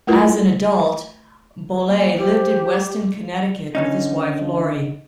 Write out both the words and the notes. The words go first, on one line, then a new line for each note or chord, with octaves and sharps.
As an adult, Bolle lived in Weston, Connecticut, with his wife, Lori.
A3 E4 F4 A#4 B4
A#3 G#5
G4 C5
D3 C#4 D#4